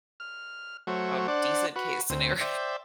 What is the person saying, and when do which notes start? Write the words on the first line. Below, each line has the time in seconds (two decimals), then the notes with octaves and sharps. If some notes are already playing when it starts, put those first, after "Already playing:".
a decent case scenario
0.20 F6
0.87 F#3 A3 F#4 C5 C#5
1.28 D4 C5 D5 F#5
1.76 F#4 B4
2.10 D2 C4
2.41 C5 D5 E5 G5